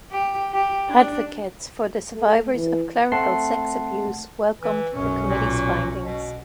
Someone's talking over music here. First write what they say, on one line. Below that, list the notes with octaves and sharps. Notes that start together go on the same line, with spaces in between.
Advocates for the survivors of clerical sex abuse welcomed the committee's findings.
G4
G4
D4
A3
E3
A3 C4 F#5 A5 C6 C7
E3
B1 F#2 C#4
A#2
B2